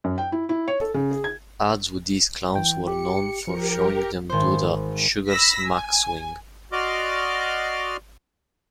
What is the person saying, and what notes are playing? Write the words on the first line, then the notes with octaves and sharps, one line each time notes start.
Ads with these clowns were known for showing them do the "Sugar Smack Swing".
F#2
G5
E4
E4
C#5
A4
C#3
G#4
G#6
E3 G5
G4 C#7
F3 G4 A#4
G#1 C5
B5 E6 A#6 B6
G#5
F#4 D5 D#5 C6 D6 F6